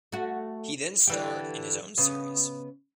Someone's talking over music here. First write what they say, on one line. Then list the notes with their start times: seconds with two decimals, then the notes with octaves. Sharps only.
He then starred in his own series.
0.12 A3 F#4
1.07 D3 E3 G4
1.98 C#3 B3 D#5